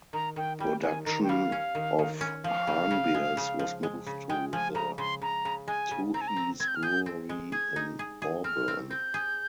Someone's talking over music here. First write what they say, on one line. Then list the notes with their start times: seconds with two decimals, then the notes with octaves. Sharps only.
Production of Hahn beers was moved to the Tooheys brewery in Auburn.
0.13 D#3 A#5
0.36 D#3 G5
0.60 G3 G5
0.83 D#3 G#5
1.06 D#3 A#5
1.23 G5
1.29 G3 F5
1.52 C#4
1.75 D#3
1.99 D#3
2.21 C#4
2.44 F3 F5
2.67 C#3
2.91 C#3
3.14 G#3
3.37 C#3
3.59 F3
3.83 G#3
4.07 C#3
4.29 G#3 G5
4.52 F3 G#5
4.75 C#3 A#5
4.98 C#3 C6
5.22 C#3 A#5
5.45 C#3
5.68 G#3 G#5
5.91 C#3
6.14 C4 A#5
6.21 G#5
6.28 A#5
6.36 C4
6.60 C4 G#6
6.68 G6
6.76 F6
6.83 G#4 G6
7.06 C4
7.29 G#3
7.52 G#4 G#6
7.76 D#4
7.99 G#4
8.22 G#4
8.44 C4 F6
8.68 C4
8.90 C4 G6
9.14 G#4